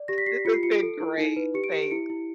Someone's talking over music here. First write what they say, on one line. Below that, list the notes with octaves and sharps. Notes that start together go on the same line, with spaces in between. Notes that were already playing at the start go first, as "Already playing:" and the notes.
This has been great, thanks.
Already playing: D5
G4 A#6
B6
G4 C7
F4 C#7
C7
F4 C#7
D7
A4
E4
D#4
B4
G4 C#7
D7
G4 C#7
D7
E4 C#7
E4